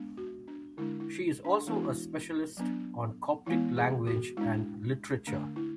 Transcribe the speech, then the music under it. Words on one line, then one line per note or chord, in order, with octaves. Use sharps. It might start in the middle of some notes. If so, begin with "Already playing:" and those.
She is also a specialist on Coptic language and literature.
Already playing: G#3 B3 D4
F#4
D4
D3 G#3 D4 E4
E4
D4
E3 G#3 B3 D4 E4
F#4
E4
F#3 B3 D4
E3 G#3 B3 E4
G#4
F#4
G#3 D4 E4
D3 A3 D4
E4